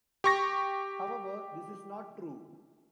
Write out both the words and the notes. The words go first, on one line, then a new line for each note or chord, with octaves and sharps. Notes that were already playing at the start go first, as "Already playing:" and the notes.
However, this is not true.
G4 C#6 A#6